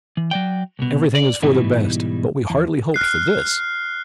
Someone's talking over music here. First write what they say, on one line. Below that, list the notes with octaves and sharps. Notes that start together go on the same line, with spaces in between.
Everything is for the best, but we hardly hoped for this!
E3
F#3 D5 G5
C2 B2
D5
G#2 B2 E3 G3 D#4 E4
E2
F6 F#6 C7